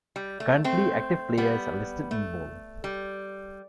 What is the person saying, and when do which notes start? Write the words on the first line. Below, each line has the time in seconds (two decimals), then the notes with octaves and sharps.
Currently active players are listed in bold.
0.16 G3
0.40 A3
0.64 A3 C4
1.38 G3 B3
2.11 A3
2.84 G3